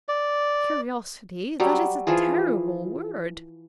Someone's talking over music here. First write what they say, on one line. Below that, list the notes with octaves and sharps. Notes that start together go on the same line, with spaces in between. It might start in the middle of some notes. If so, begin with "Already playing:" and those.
"Curiosity--that is a terrible word."
D5
F#3 G3
E3 F3 F4 G#4